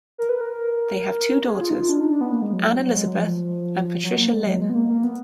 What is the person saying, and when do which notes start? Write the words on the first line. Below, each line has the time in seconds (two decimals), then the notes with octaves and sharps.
They have two daughters, Anne Elizabeth and Patricia Lynn.
0.18 A#4
0.29 B4
0.41 A#4
1.47 G#4
1.61 F4
1.70 D#4
1.74 F4
1.89 D4
2.00 D#4
2.11 D4
2.21 B3
2.32 A#3
2.42 G#3
2.53 F#3
2.75 F#3
2.86 F#3
2.97 G#3
3.07 F#3
3.18 F3
4.03 F#3
4.18 A#3
4.33 G#3
4.47 F#3
4.61 G#3
4.70 B3
4.75 A#3
4.89 A#3
5.04 B3